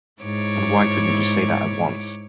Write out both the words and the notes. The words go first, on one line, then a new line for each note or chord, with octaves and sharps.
And why couldn’t you say that at once?
G#2 E4 C#5 D6